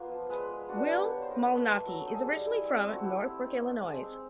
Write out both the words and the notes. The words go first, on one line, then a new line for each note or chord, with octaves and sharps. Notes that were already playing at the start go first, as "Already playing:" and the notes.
Will Malnati is originally from Northbrook, Illinois.
Already playing: A#3 B3 F4
F3
G#3 B4
G#3
D4 F#4
B3 G4
A#3 C#5
C5
D#4 A#4
B4
A3
A3
F#3 A#4
A4
D#4
G#4
G3
E4
C4
A3
F#4
E4 G4
C4
D#4
D#4
G#3
C4